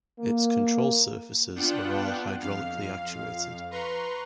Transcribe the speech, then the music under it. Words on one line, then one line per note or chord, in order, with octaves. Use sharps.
Its control surfaces are all hydraulically actuated.
A#3
B3 D4 F4 F#5 G5
F2 F5
B4 A#5 C6 C#6